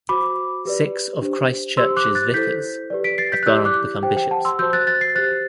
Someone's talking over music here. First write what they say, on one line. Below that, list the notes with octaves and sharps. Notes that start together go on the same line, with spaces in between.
Six of Christ Church’s vicars have gone on to become bishops.
F#4 C5 B5 D6
G4 B4 D5
D4 G4 C5
G4 C5 C6 E6
D6 F#6
F#6 A6
E4 A4 C5 G6 B6
G4 B4 D5
B6 D7
A6 C7
G6 B6
F#6
E4 G4 D5 E6 G6
D6 F#6
G4 C5 G5
G5
F#5 A5
C6 E6
F#4 C5 E6 G6
F#6 A6
F#6 A6
A6 C7
G4 C5 F#6 A6